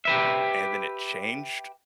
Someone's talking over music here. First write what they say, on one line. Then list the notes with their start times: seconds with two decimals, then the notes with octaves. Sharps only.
and then it changed,
0.05 G4 B4 E5